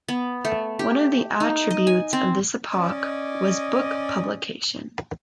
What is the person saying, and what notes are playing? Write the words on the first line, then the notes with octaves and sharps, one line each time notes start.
One of the attributes of this epoch was book publication.
B3
A3
G4
D#4
D#5
G#5
C4
C#4 D5 D#5